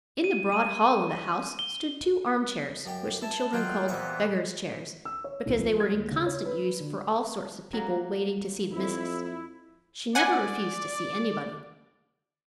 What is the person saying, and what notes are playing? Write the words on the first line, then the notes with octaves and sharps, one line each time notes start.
In the broad hall of the house stood two armchairs, which the children called "beggars' chairs," because they were in constant use for all sorts of people, "waiting to see the missus." She never refused to see anybody.
D#7
D#7
G7
F#2 G4
E4 A5 E6
D#3 F#3 F4 G5 F#6
A#2 E3 B3 C4 E5 F#5
E6
C#5
D#1
F3
G#6
D#2
C#3
C#5
B4
D3
F#3 A#3
F2 E4
D5 F#5 G#5